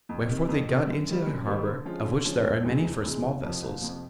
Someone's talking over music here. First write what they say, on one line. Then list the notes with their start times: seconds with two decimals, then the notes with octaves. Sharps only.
Wherefore they got into a harbor, of which there are many for small vessels.
0.09 F2
0.28 C3 D#3
0.48 F2
0.68 C3 D#3
0.87 F#2
1.08 D#3 G3
1.27 F#2
1.46 D#3 G3
1.66 D3
1.85 F3 G#3 C#4 F4
2.06 D3
2.25 F3 G#3 C#4 F4
2.45 E1
2.64 D2 C3 E3 G#3
2.84 E1
3.04 D2 C3 E3 G#3
3.23 F#1
3.43 F2 C3 F3
3.62 F#1
3.82 F2 C3 F3